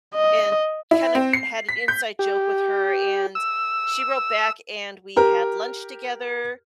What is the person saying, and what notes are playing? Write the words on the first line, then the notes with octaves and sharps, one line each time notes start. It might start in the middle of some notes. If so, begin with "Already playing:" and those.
and kind of had an inside joke with her, and she wrote back and we had lunch together,
D#5
E4
C4
C7
B6
G6
G4
E6
G4 A#4